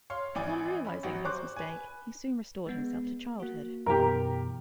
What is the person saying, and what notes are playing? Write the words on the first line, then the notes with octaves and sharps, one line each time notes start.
Upon realizing his mistake, he soon restored himself to childhood.
C#5 F5 C6
G#1 E3 D5 G#5
C#4 B5
G#1 F#3 F#4
C5 C#6 D6 F#6
B4 G#5
G#3 B3
A#3 F#4
F#2 B2 E3 G4 A#4